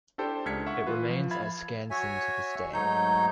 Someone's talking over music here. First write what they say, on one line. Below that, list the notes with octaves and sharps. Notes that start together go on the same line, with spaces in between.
It remains at Skansen to this day.
D4 E4 G4 A4 C5 G5
C#2 D4 F6 G#6 B6 C#7
E5 F#5 C#6
E3 F4 B4
F3
E5 F5 B5 G#6 A6
F#4 C#5 E5 G#5
G#2 F#3 A3 D#4 C#5 G6